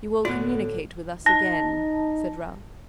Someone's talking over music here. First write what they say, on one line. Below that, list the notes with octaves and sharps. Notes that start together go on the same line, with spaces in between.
'You will communicate with us again?' said Ralph.
A2 D3 B3 F#4 D5
D#4 A5 A#6